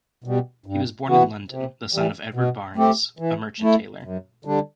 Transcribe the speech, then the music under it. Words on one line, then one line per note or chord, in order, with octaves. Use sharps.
He was born in London, the son of Edward Barnes, a merchant taylor.
B2 G3
G2
E3 B3 F#4
C3
E3 G3
B2
A3 C4 G4
E3
A3 E4
F#2
D3 G3 D4